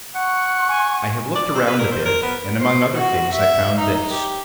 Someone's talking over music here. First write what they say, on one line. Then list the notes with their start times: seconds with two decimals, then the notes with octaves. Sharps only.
I have looked around a bit, and among other things I found this.
0.15 F#5 C#6
0.69 G#5
1.36 D5
1.55 C4
1.67 B4
1.79 A#4
1.92 C5
2.06 A#4
2.23 B3
2.60 C5
2.93 F#4
3.32 E5
3.78 D#4
4.11 G4